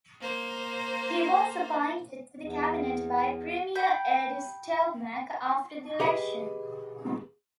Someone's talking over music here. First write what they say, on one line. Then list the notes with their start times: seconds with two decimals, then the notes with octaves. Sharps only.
He was appointed to the cabinet by Premier Ed Stelmach after the election.
0.21 A#3 C5
2.42 E2
3.75 G5 B5
6.00 G4 G#4 B4 D#5